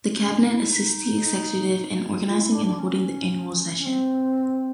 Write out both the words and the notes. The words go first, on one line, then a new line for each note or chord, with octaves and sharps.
The Cabinet assists the Executive in organizing and holding the Annual Session.
C#4
D4
E4
D#4
F4
E4
D4
D4
C#4
C#4
C4